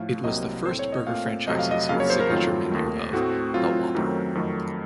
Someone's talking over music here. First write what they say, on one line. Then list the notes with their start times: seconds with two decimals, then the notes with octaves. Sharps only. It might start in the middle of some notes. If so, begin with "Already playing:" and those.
It was the first burger franchises with signature menu of The Whopper.
Already playing: A2 F3 A3 F5
0.24 C2 C3 F#3 A#3 D#5
0.65 A2 A3 C4 C5
0.79 C#5
0.92 D#5
1.07 A#2 A3 C4 F5
1.48 F2 C3 F#3 A3 D#5
1.59 F5
1.71 D#5
1.89 F2 C#3 F#3 A#3 F5
2.00 C#5
2.10 C5
2.20 A#4
2.30 F2 D#3 F#3 A3 C4 F4
2.71 D#2 D#3 A3
3.13 A2 A3 C4 F#4
3.54 A2 F#3 C4 F4
3.95 F#2 D#3 F#3 A3 C4
4.35 F2 D#3 F#3 A3